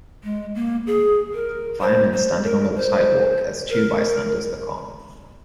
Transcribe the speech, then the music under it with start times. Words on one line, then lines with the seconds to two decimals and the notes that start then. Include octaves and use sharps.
Firemen standing on the sidewalk as two bystanders look on.
0.24 G#3
0.55 A#3
0.87 G#4
1.33 A#4
1.81 C5
2.13 C5
2.43 A#4
2.76 C5
3.70 A#4